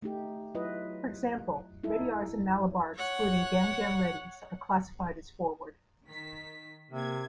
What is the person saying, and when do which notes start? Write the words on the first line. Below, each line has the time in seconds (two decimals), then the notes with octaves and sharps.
For example, Reddiars in Malabar excluding Ganjam Reddys are classified as forward.
0.02 A3 D#4 G4
0.55 F#3 E4 F4 B4 D#5
1.84 D#4 E4 A4
2.96 C#5 F#5
6.06 D#3 B6
6.91 C3 A#3 G#6